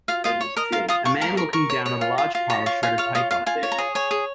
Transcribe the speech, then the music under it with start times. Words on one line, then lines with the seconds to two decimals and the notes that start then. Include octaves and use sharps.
A man looking down at a large pile of shredded paper.
0.08 F4 F5
0.24 F4 D#5
0.41 C#5
0.57 A#4 D#5
0.72 F4 F5
0.88 F4 D#6
1.05 F4 C#6
1.21 A#4 A#5
1.37 A#4 C#6
1.53 A#4 C#6
1.70 C#5
1.86 C#5
2.01 F4
2.18 F4
2.35 F4
2.50 C#5 A#5
2.66 F4 C#6
2.83 F4 G#5
2.98 C#5 F5
3.15 F4 D#5
3.31 F4 F5
3.46 F4 G#5
3.63 C#5
3.72 A#5
3.78 G#4
3.95 C#5 G#5
4.11 G#4